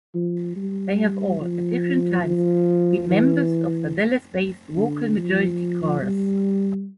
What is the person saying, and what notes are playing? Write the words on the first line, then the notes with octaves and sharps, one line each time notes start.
They have all, at different times, been members of the Dallas-based Vocal Majority chorus.
F3
G3
F3
F3
E3
D3
F3
G3